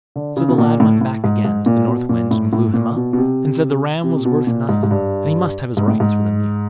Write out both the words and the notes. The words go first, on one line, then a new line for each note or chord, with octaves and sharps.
So the lad went back again to the North Wind, and blew him up, and said the ram was worth nothing, and he must have his rights for the meal.
D3
C#3
B2
A#2
A2
A2
G#2
G#2
A#2
B2
A#2
A2
A2
A#2
B2
B2
C3
C3
B2
A#2
G#2
G#2
G2
G#2
A2
G#2